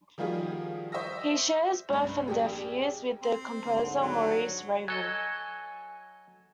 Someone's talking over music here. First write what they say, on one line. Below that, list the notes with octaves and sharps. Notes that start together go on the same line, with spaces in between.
He shares birth and death years with the composer Maurice Ravel.
D#3 F3 G3 F4 F#4 G#4
C5 E5 C#6 D#6 E6 A#6
C2 G2
A#1 G4 G#4
C4
D#2 G#2 D3
F#3
F#3 A4 D#5 G#5